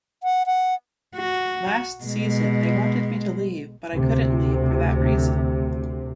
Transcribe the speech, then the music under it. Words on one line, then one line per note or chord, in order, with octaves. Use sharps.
Last season, they wanted me to leave but I couldn't leave for that reason.
F#5
F#5
F#4
B2 G#3
D2 C3